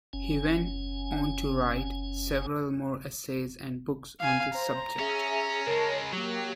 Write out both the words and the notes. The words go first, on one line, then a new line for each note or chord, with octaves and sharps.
He went on to write several more essays and books on the subject.
F#1 C#4 G#5
F5 G#5
C5 A#5
C#4 G#4 E5
C#3 G#3 A#4 C#5 A5
F#3 A#3 G4